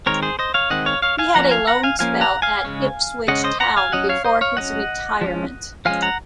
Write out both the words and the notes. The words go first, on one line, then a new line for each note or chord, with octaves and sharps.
He had a loan spell at Ipswich Town before his retirement.
D#3 G#3 C4 A#4 C#5
G#4 C5
C5 D#5
C#5 F5
D#3 G#3 C4 D#5 F#5
C#5 F5
C#5 F5
F5 G#5
F3 A#3 C#4 F#5 A#5
F5 G#5
F#5 A#5
F5 G#5
F3 A#3 C#4 F5 G#5
F#5 A#5
F5 G#5
C#3 G#3 C#4
C#3 G#3 C#4 D#5 F#5
C5 D#5
F#5 A#5
F5 G#5
F#3 C#4 D#5 F#5
C#5 F5
C5 D#5
C#5 F5
F#3 C#4 D#5 F#5
F3 G#3 C#4
F3 G#3 C#4 F5 G#5
F#5 A#5